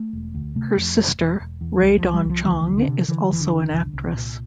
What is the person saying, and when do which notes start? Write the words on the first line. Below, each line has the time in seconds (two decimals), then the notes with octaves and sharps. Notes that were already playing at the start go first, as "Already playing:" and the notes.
Her sister Rae Dawn Chong is also an actress.
Already playing: A3
0.13 E1
0.35 D2
0.55 C3 A3
0.77 F2
0.97 F1
1.19 E1
1.40 E1
1.61 E2
1.82 C2 G3
1.98 F3
2.03 C2
2.14 G3
2.24 C2 F3
2.46 D2 E3
2.67 D2
2.77 D3
2.88 C3
3.08 D3 E3
3.31 F1 E3
3.41 D3
3.51 F2
3.72 C2
3.93 C2
4.15 A#2